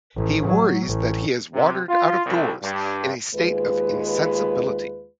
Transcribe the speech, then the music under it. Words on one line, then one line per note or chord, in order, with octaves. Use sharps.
He worries that he has wandered out of doors in a state of insensibility.
A1
F#3
A1
C3
F4
C2
G2
D#2 G#3 F4 B4